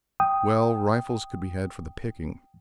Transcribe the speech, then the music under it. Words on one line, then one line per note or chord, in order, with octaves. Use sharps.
Well, rifles could be had for the picking.
G5 D#6